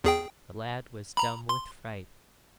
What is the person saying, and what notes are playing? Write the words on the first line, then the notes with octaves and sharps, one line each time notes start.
The lad was dumb with fright.
E2 G#4 G5
A#5 B5
C6